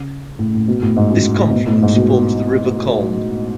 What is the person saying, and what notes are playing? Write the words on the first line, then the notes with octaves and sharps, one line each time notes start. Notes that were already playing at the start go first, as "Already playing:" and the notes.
This confluence forms the River Colne.
Already playing: C#3
A2
A2
B2
A2
G#2
F#2
A2
B2
A2
G#2
B2